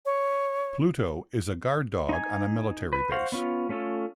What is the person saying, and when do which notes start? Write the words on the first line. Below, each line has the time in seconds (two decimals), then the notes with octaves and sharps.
Pluto is a guard dog on a military base.
0.05 C#5
2.09 D#4 G#5
2.93 B4
3.12 F#4 C5 F5 F#5
3.32 B3 C#4 F4
3.69 A3 C#4 F4 A4